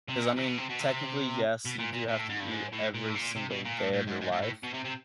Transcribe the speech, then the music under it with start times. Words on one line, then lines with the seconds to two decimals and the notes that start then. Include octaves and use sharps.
'Cause I mean, technically, yes, you do have to eat every single day of your life,
0.09 C3
0.22 A#2
0.37 A#2
0.43 C3
0.48 B2
0.59 C3
0.69 B2
0.80 C3
1.65 B2
1.79 A#2
1.93 A#2
2.08 A#2
2.19 A2
2.29 G#2
2.40 G2
2.51 G#2
2.72 A2
2.94 A#2
3.08 A2
3.15 A#2
3.36 C3
3.50 B2
3.65 A#2
3.78 A2
3.93 A2
4.07 G#2
4.21 G#2
4.32 A2
4.42 A2
4.64 B2
4.74 C3
4.85 C3